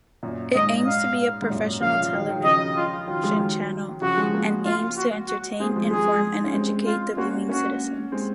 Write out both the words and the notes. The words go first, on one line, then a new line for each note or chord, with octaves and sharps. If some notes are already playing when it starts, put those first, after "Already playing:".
It aims to be a professional television channel and aims to entertain, inform and educate the viewing citizens.
F#2 A#2
G#2 D#5
F5
G#2
F#2 A#2
C#3 F3 F5
F3
D#3 F#3
D#3 F#3
C#3 F3 D#5
F4
D#3 F#3 F4
F3 G#3
D#3 F#3
C#3 F3 F#4
F3 G#3
F#3 A#3
F4
F#4
F#4
G#3 C4 G#4
F3 G#3
F3 G#3 G#4
D#4
C#4
G#3 C4
F4
A#3 C#4 F#4
A#3 C#4 F#4
G#3 C4